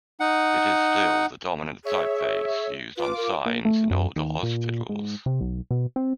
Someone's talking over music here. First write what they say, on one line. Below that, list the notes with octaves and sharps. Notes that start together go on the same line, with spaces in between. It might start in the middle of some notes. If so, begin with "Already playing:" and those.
It is still the dominant typeface used on signs in older hospitals.
D#4 F#5
G#4 C#5 E5
F4 B4 D6
A#4
A#2
A3
F#2
D#2
A#2
G#2
C3
B1
B2
C4